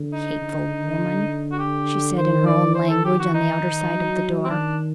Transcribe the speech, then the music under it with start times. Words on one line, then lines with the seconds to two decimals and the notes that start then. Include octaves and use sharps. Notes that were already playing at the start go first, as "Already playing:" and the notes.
"Hateful woman!" she said in her own language, on the outer side of the door.
Already playing: D3
0.13 D#4
0.41 D3
1.52 F#4
1.59 G4
2.17 D#3 C5
2.46 D5
2.75 D#3 C5
2.89 A4
3.05 G4
3.19 F#4
3.34 D#4
3.92 F#3
4.44 C4
4.50 D#3 D4